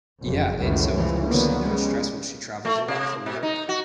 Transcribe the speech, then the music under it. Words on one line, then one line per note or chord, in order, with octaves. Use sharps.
Yeah, i so, of course, you know, it's stressful. She travels a lot for work,
F#1 F2
C#2 F#2 A2 D#3 E3 A3
C#2 C#3 E3 F3
D3 D#3 F3 F#3 A#3 B3
C#3 G3 G#3
A3
C3
B2
D#4
F#4